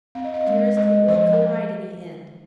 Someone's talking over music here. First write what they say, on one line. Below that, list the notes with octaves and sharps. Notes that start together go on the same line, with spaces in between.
Dearest, it will come right in the end.
C4 F5
D#5
F5
D#5
G#3 F5
G#3 D#5
F3 D#5
A#4